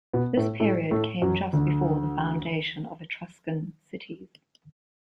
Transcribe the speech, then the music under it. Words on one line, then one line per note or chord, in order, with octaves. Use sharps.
This period came just before the foundation of Etruscan cities.
B2 B3
A2 A3
A2 A3
A2 A3
F#2 F#3
D2 D3